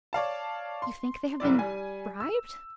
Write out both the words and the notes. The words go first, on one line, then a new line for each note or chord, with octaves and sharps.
"You think they have been, bribed?"
C#5 D5 F5 A5
C6
F1 B1 E4 D5
G3 G#5
E6